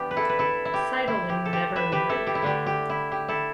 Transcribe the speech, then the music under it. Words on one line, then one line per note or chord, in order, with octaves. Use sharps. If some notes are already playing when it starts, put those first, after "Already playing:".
Seidelin never married.
Already playing: E3 B3 D4 G4
B4
E4 A4
B4
E4 A4
E4
G4
E4
G4
A4
G4
B4 E5
G4 B4
E4 A4
G4
E4
D3 A3 D4 G4
G4
E4
G4
E4 A4